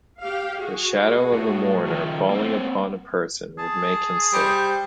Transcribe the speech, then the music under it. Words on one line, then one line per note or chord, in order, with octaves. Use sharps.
The shadow of a mourner falling upon a person would make him sick.
G4 F5
F#4 G#4
A2
D#3 F3
A#3 C4
G#4 A5
G3 C5 G6